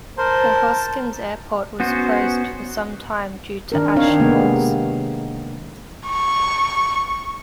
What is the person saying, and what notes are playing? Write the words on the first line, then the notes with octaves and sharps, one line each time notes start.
The Hoskins airport was closed for some time due to ash falls.
A#4 C5 A5
B3 C#4 F#4 C5
D#3 D4 A#4
D#3 C4 D4 D#4 C#5 F5
C3 G#3 A#3 B3
C#6